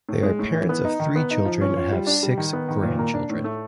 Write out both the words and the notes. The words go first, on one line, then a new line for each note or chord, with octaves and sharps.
They are parents of three children and have six grandchildren.
A2
G#3
A2
E3
B3
D#4
D#3
B3
D#4
F3
C#4
F4
G3
D4
G3
D#3
B3
D#3
A#2
A#3
D4
A2
A3